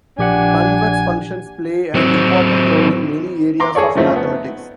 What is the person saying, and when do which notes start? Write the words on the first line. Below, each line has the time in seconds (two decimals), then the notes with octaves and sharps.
Convex functions play an important role in many areas of mathematics.
0.19 A#1 D4 G4 F#5 G#5
1.94 F#3 C4
3.60 A#5 C6 D6
3.75 G#4 A4 C#5 D5
3.95 C#3 F3 A3 C4 D#4
4.16 B3